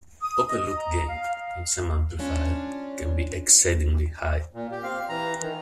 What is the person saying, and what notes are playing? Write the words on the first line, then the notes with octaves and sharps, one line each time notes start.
Open loop gain, in some amplifiers, can be exceedingly high.
D#6
D#5
A#5
F5
C#4 D4 F4
A#2
G4
C4 F5
E3 A#5
D#3 E3